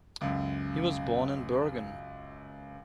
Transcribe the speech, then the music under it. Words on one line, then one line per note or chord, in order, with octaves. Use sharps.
He was born in Bergen.
C#2 F#2